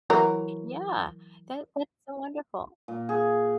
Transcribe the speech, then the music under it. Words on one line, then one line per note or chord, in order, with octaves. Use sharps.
Yeah, that that's so wonderful.
E3 F#3 A#4
A#2
G#4